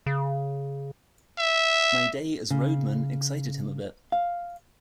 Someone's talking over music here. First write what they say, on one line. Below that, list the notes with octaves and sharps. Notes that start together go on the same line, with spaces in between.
My day as roadman excited him a bit.
C#3
E5
C#3
F5